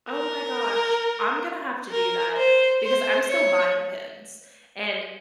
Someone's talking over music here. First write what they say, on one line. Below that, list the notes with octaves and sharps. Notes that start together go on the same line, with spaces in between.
Oh my gosh. I'm gonna have to do that because I'm still buying pins and
A#4
A#4
C5
C5
C#5